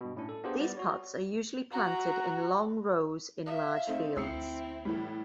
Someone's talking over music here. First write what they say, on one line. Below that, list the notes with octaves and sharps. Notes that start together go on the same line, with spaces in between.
These pots are usually planted in long rows in large fields.
G2 B2
A2 C#4 D4
A4
B3 D4 F4 G4 G#4 C5
G3 B3 D5
F#4 C#5
F#4 A#5
F4 E5
A3 C4 D#4
D2 C4 E4 E6 C7 C#7
A2 E3 G3